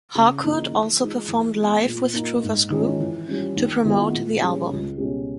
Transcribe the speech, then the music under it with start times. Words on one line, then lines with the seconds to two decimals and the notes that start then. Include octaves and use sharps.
Harcourt also performed live with Truffaz's group to promote the album.
0.15 C#3
0.44 E3 A#3 D#4
0.71 E3
1.01 G#3 D#4
1.28 E3
1.56 G#3 B3
1.86 A#2
2.14 A#3 D#4
2.43 G#2
2.70 D#3 G#3 C#4
2.99 E3
3.28 G3 C#4
3.56 D#2
3.85 D#3 G#3 B3 E4
4.13 A#2
4.42 G3 C#4 G#4
4.71 C#2
4.98 B2 G#3 C#4 G4